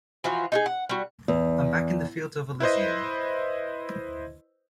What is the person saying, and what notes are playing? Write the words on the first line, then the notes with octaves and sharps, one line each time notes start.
I'm back in the fields of Elysium.
E3 F3 F4 F#4
D#4 F4 G#4
F#5
G3 F#4
E2
E4 B4 C5 D#5